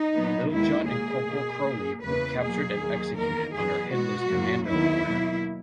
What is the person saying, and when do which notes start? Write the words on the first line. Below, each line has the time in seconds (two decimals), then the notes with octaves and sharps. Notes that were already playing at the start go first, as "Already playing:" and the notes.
Littlejohn and Corporal Crowley were captured and executed under Hitler's Commando Order.
Already playing: D#4
0.13 A#2 F#3 B3
0.51 D#2 D#3 G#3 B3 E4
0.88 A#2 A#3 G#4
1.26 B2 A#3
1.64 A#2 A#3
2.02 E2 C#3 E3 A#3 B4
2.39 B2 F#3 A#3 G#4
2.78 D#2 D#3 F#3 A#3
3.15 E2 D#3 A#3 A#4
3.53 E2 B2 F#3 B3 G#4
3.91 B2 G#3 B3 F#4
4.29 F#2 C#3 F#3 A#3
4.67 D#2 D#3 F#3 B3 E4
5.05 B2 F#3 A#3